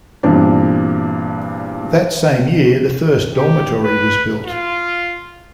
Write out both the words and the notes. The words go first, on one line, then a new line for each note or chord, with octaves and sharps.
That same year the first dormitory was built.
E2 G2 A#2 C4 D4
G4
B4
F4